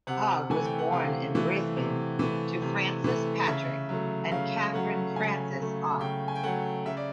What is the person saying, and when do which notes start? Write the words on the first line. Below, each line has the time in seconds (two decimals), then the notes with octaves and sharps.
Hogg was born in Brisbane to Francis Patrick and Catherine Frances Hogg.
0.07 C3 F#5
0.50 E3 A3 G#5
0.65 G5
0.78 F#5
0.92 C3 F5
1.35 E3 A3
1.77 C3
2.19 E3 A3
2.62 C3
3.04 E3 A3
3.46 C#3 E5
3.89 F#3 A3
4.31 C#3 F5
4.73 F#3 A3 F#5
5.16 C#3 G#5
5.58 F#3 A3
6.01 C#3 G5
6.28 G#5
6.35 G5
6.43 F#3 A3 F#5
6.85 C#3 E5
6.97 D5